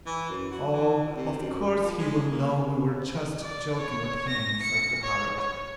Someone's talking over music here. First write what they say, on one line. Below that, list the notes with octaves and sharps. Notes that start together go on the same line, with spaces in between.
"Oh, of course he will know we were just joking with him," said the parrot.
E3
F#2
F#4
E3
C3
F#2
F3
G#3
A#3
D5
C#5
A#6
C#7
C#5
C#5